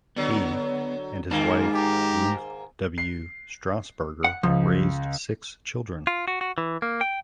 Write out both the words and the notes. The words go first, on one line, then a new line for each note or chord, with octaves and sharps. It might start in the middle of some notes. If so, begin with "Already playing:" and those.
He and his wife, Ruth W. Strassburger, raised six children.
D3 F#3 B3
G#2 D#3 G#3 A#3 D#4 A5
G4 A#5
C7
F#5
C#2 F3
F4
F#4
F#4
E3
A#3
G5